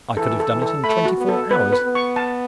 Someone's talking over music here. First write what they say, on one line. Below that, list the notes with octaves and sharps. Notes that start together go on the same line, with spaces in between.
I could have done it in twenty-four hours.
E3 A4
A4
E3
A4
A3 B5
F#4
B3
A4
B3 B4
B4
B3
C#6
A5